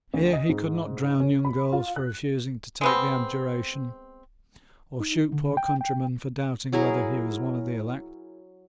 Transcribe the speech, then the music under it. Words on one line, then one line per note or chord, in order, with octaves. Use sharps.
Here he could not drown young girls for refusing to take the abjuration, or shoot poor countrymen for doubting whether he was one of the elect.
D2
D#5
G#2
C#4
B5
F4
F#6
G#3 B3 C4
D#4
D3
G5
G5
F#3 E4 G#4 A#4